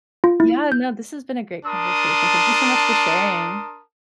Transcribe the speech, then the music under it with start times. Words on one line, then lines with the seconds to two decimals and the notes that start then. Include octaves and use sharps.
yeah, no, this has been a great conversation, thank you so much for sharing.
0.24 F4
0.40 E4
0.72 G6
1.65 D4 A#4 A5 C6 D#6